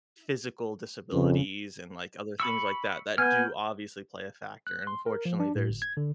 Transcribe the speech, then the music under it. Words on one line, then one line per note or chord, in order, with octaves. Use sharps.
physical disabilities and, like, other things like that, that do obviously play a factor. Unfortunately, there's
F2 C#3
B5 C#6 E6
B3 G#5 F6 G6
F#6
C6
A#4
F3
D4
A2
G1
G#6
D3